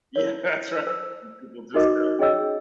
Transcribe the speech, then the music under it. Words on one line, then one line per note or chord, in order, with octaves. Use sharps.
Yeah, that's right, and people, just, go.
E4 A#4 C#5
A4 C5 A5 E6
D#4 F#4 A4 A#4 D#5 D6
C#4 G#4 C#5 D#5 G5 E6